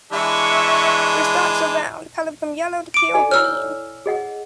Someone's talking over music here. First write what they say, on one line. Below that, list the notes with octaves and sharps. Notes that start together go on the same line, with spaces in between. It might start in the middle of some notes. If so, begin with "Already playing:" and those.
Their stalks are round, colored from yellow to pale green.
E3 G#3 D4 E5 C#6
D6 D7
A4 D5 G#5
E4 C#5 E6 F6
G#4 D#5 F#5